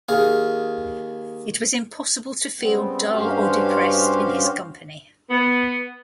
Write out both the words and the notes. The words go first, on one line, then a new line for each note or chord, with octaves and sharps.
It was impossible to feel dull or depressed in his company.
D#2 G#4 F5
C#3 G3 B3 C4
G2 C#4 F#4 G4 C5 F5
B3